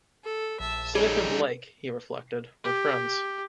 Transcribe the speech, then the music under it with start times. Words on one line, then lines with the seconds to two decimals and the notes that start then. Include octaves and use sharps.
Smith and Blake, he reflected, were friends.
0.24 A4
0.60 A#1 E5 A5
0.95 G3 D#4 G#4 A4 C#5
2.64 G4